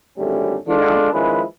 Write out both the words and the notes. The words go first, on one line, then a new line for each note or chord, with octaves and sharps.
you know?
G#1 F2 D3 G3 A3 C#4
G#3 D4 F4 A4
D#3 F3 G#3 C#4 E4 B4